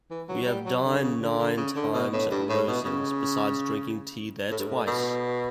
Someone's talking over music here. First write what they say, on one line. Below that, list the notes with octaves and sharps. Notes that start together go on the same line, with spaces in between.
We have dined nine times at Rosings, besides drinking tea there twice!
E3
F#3
G3
F#3
D3
C#3
D3
D3
C#3
D3
B2
A2
G2
A2
B2
C#3
A2
G2
A2
B2